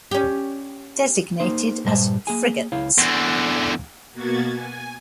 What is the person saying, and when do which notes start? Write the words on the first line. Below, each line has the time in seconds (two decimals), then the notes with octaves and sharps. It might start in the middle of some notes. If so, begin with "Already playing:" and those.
Designated as frigates.
0.11 C#4 G4
1.40 A#3 D#4 C5
1.85 G2 A#2 G3 C5 E5 A5
2.27 A#3 G#4 G#5
2.72 C#2 E4 C#5 F5
2.98 E2 D3
4.12 B2 A#3 B3 F#4 G#6 A6
4.51 G#5